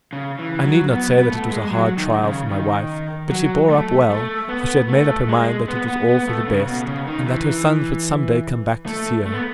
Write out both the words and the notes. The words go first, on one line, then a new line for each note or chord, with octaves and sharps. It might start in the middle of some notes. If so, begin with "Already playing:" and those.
I need not say that it was a hard trial for my wife; but she bore up well, for she had made up her mind that it was all for the best, and that her sons would some day come back to see her.
C#3
E3
F#3
B3
B3
A3
G#3
F#3
D#3
C#3
D#3
F#3
A3
A3
B3
A3
G#3
B3
B3
B3
A3
C#3
B2
C#3
D#3
E3
A3
A3
B3